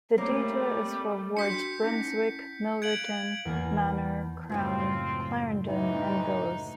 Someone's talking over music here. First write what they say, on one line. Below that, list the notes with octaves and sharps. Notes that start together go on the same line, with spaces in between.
The data is for wards "Brunswick", "Milverton", "Manor", "Crown", "Clarendon" and "Willes".
G3 A3 A#3 C4 C#5 A#5
D4 F#4 C6 G6 B6 C#7
C#4 D#4 E4
F5 F#6 G#6 D7 F#7
E2 A#3 G#5 F6
C#2 F#2 A2 C4 F4
D2 E3 D#4